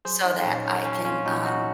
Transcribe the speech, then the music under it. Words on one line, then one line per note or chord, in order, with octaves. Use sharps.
so that I can, um
F#3 G#4 C5
D#4
A#2 C#4
C#4
F#3 C#4
C#4 F4
A#2 D#4 F#4
D#4 F#4